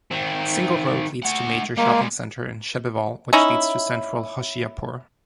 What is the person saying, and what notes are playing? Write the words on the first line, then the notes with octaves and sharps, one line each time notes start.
Single road leads to major shopping center in Chebbewal, which leads to central Hoshiarpur.
D#3 C4
A3 F#5
G3 G#3 A#3
C#4 D#4 E4